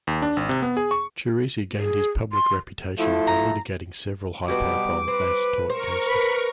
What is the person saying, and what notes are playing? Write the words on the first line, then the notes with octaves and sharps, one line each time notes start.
Ciresi gained his public reputation by litigating several high-profile mass tort cases.
D#2
D4
G#1
C3
B3
G#4
C#6
G#4
C6
F3 A3 E4
A#5
B2 F#3 G3 B3 D6
C4 B4
A#4 C5 C#6
B4 B5